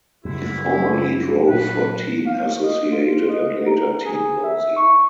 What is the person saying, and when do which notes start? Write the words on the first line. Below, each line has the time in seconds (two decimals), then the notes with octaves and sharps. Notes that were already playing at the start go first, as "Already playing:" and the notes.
He formerly drove for Team Associated and later Team Losi.
0.25 F#2 C#3 G3 E4
1.49 A#2 F#3 B4
2.26 F5
2.63 D#5
2.92 F4
3.29 D#5
3.67 A#5
4.05 G#4
4.44 E5
4.76 C#6